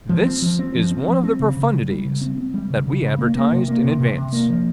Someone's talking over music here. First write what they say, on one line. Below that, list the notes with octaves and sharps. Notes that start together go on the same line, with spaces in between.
This is one of the profundities that we advertised in advance.
F3
C4
F3
C4
F3
C4
F3
C4
C#3
C#3
G3
G3
C#3
C4
C4
G3
C#3
C#3
C#3
A#3
A#3
C3
A#3
C3
C3
C3
A#3
F3